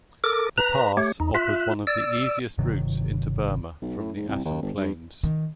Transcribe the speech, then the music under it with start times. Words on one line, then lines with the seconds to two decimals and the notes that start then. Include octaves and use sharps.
The pass offers one of the easiest routes into Burma from the Assam plains.
0.24 A4 A#4 D6
0.58 B4 A#5
0.97 A3 G4 C#5
1.20 E2 D#4
1.35 F4 E5 F#6
1.87 D5 E6
2.58 G1 C3 D#3 F#3
3.82 B1
3.99 A2
4.16 G#2
4.29 C2
4.45 D#2
4.62 G1
4.77 G2
5.23 D#3